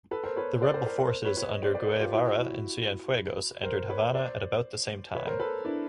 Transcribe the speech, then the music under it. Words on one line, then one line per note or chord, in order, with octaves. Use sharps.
The rebel forces under Guevara and Cienfuegos entered Havana at about the same time.
A4 B4
A#4 C5
B4 C#5
C5 D5
A#4 C5
A#4 C5
A#4 C5
B4 C#5
B4 C#5
C#5 D#5
C5 D5
C5 D5
A#4 C5
F4 G4
E4 F#4
E4 F#4
A#4 C5
B4 C#5
C5 D5
B4 C#5
A#4 C5
A4 B4
D4 E4